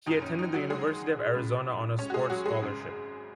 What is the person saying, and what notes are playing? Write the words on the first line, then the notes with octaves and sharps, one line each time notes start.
He attended the University of Arizona on a sports scholarship.
F#1 F#2 D#3 D#4
C#4
D#4
F#3 F#4
G#3 G#4
C#2 C#3
C#4 C#5
F#4
G#3 G#4
F#3 F#4
G#3 G#4
G#1 F#2 C#3